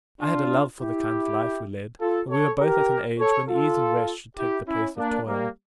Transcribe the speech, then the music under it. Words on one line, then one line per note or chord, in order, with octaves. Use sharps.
I had a love for the kind of life we led, and we were both at an age when ease and rest should take the place of toil.
D4 F4
E4 G4
F4 A4
A4 C#5
G4 A#4
A4 C#5
F4 A4
E4 G4
C#4 E4
A#3 D4
G3 A#3